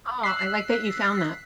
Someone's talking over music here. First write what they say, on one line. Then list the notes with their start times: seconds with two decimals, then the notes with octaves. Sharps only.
Oh, I like that you found that.
0.23 E6 F#6 B6 C7